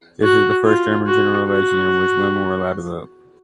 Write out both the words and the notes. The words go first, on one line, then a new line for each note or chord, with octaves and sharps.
This was the first German general election in which women were allowed to vote.
F#4
F4
F#4
F#4